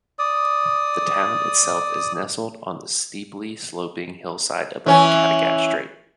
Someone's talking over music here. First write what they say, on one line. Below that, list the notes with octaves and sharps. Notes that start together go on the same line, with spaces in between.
The town itself is nestled on the steeply sloping hillside above the Kattegat Strait.
D5 D#6
E3 C#4